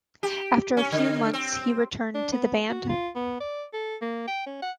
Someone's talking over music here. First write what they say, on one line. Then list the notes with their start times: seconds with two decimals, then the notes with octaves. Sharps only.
After a few months he returned to the band.
0.23 G4
0.77 C#4
0.92 D3
1.33 C4
2.14 D4
2.32 B3
2.69 F#4
2.89 F4
3.15 B3
3.40 D5
3.73 A4
4.01 A#3
4.28 G5
4.46 C#4
4.62 F#5